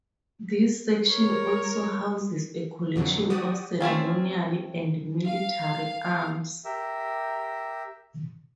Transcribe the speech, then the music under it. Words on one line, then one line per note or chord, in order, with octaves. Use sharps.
This section also houses a collection of ceremonial and military arms.
A#4 C#5
F2 B2 D3 F#3
F#4 G4 D5 D#6
A3 C4 C#4 F4
F5
G4 A#4 E5